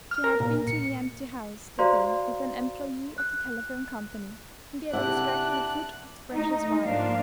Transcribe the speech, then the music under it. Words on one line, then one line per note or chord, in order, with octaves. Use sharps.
She had been to the empty house that day with an employee of the telephone company, and they had extracted a foot of the precious wire.
F6
A#4
A#2
C#7
F#4 C5 D5 F5 A#5 C6
F#6
C3 D4 E4 F#5 F#6
A3 D#4
G#2 F3 A#3 D4 F5